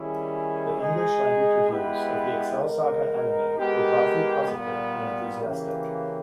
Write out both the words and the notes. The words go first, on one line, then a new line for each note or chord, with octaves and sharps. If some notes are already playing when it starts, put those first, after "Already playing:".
The English-language reviews of the "Excel Saga" anime were broadly positive and enthusiastic.
Already playing: D#3 G3 C#4 E4 G#4
G#3 D#4 G#4
G#3 B3 E4 G4 B4
G#3 B3 D#4 A#4
G#3 B3 G4 A#4
A#2 G3 B3
C#3 E3 A#3 C#4 G4